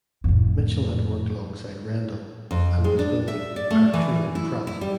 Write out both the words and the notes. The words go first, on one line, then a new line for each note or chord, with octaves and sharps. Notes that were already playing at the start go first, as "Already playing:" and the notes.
Mitchell had worked alongside Rendel, and was building "Arturo Prat".
F2 A2
F2
G#3
D4
E5
D5
A3
E3
E4
E4
G3